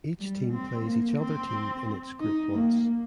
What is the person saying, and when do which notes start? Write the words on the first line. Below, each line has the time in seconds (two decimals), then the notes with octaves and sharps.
Each team plays each other team in its group once.
0.18 G3
0.52 C4
0.85 A#3
1.19 C4
2.19 D#4
2.53 A#3